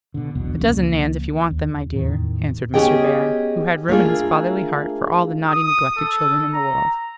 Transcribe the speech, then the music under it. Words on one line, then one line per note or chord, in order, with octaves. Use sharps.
"A dozen Nans if you want them, my dear," answered Mr. Bhaer, who had room in his fatherly heart for all the naughty neglected children in the world.
B2 D3
F1 B1 E2 B2
C#2 F3 A#3 C#4
D#2
E2 A2 D#3
B3 C#4 G4 G#4 D#5 G5
A3 A#3 D4 F4 G#4
D#6
A4
A#5